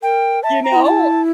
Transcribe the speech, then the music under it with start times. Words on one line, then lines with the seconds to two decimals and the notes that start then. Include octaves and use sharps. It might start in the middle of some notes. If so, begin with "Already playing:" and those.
you know?
0.03 A#4 G5
0.43 E5 A5
0.64 A#5
0.71 F#4
0.76 E4
0.84 A5